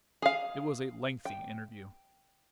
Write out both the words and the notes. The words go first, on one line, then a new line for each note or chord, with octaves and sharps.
It was a lengthy interview.
G#4 F5
G5